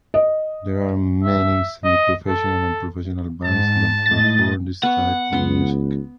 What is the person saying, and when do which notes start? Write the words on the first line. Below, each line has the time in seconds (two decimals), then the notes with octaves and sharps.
There are many semiprofessional and professional bands that perform this type of music.
0.14 D#5
1.24 E5
1.84 D#5
2.28 A4
3.44 G#2 A5
4.06 A2 D#5 A6
4.83 B3 F#5 C#6
5.33 C#2 B3 C6